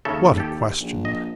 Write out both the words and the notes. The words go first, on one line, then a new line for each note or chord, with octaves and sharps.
"What a question!"
D#2 C#3 A4 E5
G4 A4
A#1
D#5